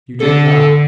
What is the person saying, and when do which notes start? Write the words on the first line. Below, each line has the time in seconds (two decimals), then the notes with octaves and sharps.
You did not!
0.20 D3 A4